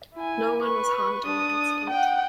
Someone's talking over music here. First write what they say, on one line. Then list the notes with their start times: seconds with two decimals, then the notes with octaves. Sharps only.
No one was harmed in the incident.
0.14 E4 G#5
0.62 B4 C#6
1.26 D4 D#6
1.90 F#5 G5